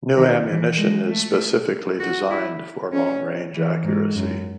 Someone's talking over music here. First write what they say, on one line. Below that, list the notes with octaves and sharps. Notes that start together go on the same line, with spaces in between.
New ammunition is specifically designed for long range accuracy.
D#3
E3
G#3
A3
F#4
E4
C#4
E3
G#2
F#2